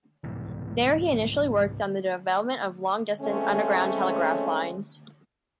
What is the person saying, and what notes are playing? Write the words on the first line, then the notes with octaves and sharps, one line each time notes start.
There, he initially worked on the development of long distance underground telegraph lines.
C2 G#2 B2 E3
F3 G#3 A3 C4 C#4